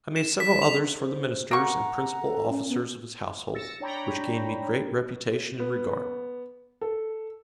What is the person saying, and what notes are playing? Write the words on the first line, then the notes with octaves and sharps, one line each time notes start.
I made several others for the ministers and principal officers of his household, which gained me great reputation and regard.
E7
B6
F7
C5
A#3 F#5 A#5 C#6
A4
C#4
B3
E6 A6 A#6 C#7 E7
D4 C#5 G5 A#5 B5
B3
A4